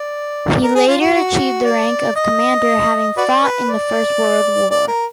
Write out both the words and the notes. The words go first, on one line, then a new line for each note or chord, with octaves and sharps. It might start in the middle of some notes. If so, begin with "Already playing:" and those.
He later achieved the rank of commander having fought in the First World War.
Already playing: D5
A#4
G#4
F4
F#4
F#4
D5
D#5
F#4 B4 D5
B4
D5
D5
A#4